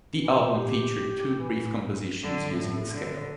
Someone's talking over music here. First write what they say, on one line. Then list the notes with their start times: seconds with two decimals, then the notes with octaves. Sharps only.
The album featured two brief compositions using the scale.
0.22 E3
0.50 G4
1.39 E3
2.23 D3
2.55 A2
2.89 D3